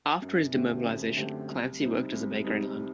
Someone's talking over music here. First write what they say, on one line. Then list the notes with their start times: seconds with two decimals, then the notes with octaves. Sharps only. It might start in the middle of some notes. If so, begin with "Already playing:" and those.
After his demobilization, Clancy worked as a baker in London.
0.22 F#2
0.53 D3 A3 C4 G4
0.85 F#2
1.16 D3 A3 C4 G4
1.49 C2
1.80 C3 G3 C4 D#4
2.12 C2
2.44 C3 G3 C4 D#4